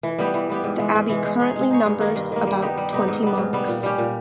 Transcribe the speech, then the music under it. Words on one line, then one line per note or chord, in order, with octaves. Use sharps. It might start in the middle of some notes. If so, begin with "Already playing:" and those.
The abbey currently numbers about twenty monks.
E3
G3 B3 G4
E3
G3 B3 G4
G#2
E3 G#3
G#2
E3 G#3
G#3
D#4 G#4 C#5
G#3
D#4 G#4 C#5
G2
D#3 A#3
G2
D#3 A#3
G3
B3 D#4 G4
G3
B3 D#4 G4
G#2
G3 B3
G#2
G3 B3
A#2
G3 C#4 G4
A#2